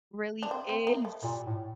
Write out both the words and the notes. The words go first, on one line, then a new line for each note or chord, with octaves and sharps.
Really is.
D4
C4
C4
A#3
A3
A#2 G3
A2